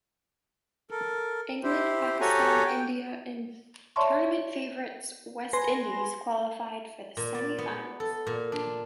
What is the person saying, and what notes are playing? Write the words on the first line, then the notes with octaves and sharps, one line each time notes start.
England, Pakistan, India and tournament favourites West Indies qualified for the semi-finals.
A4 A#4
E4 G4 C5
F#4 G4 A4 C#5 G#5 A#5
G5
C#5 D5 E5 A5 C6 C#6
B4 G#5 C6 A#6
A#2
D5
B3
A4
A#2
D4